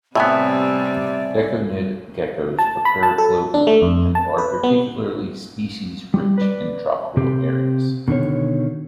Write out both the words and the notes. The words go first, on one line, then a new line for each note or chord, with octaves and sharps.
Gekkonid geckos occur globally and are particularly species-rich in tropical areas.
A2 C3 G3 B3 C4 D5 E5 G#5
A5
B5
A5
A4
D4
A3
F2
A5
B4
B3
G3
B4 D5
C3 C4 G4
B2 D3 D#3 C#5